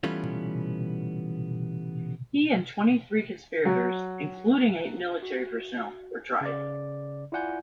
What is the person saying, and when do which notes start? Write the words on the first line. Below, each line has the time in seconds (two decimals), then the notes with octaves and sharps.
He and twenty-three conspirators, including eight military personnel, were tried.
0.03 E3 G3 A3 B3 C#4 F4
3.65 F#3
5.23 F#4
6.41 C#3 D5
7.32 E4 F4 D5 F#5 G#5 G6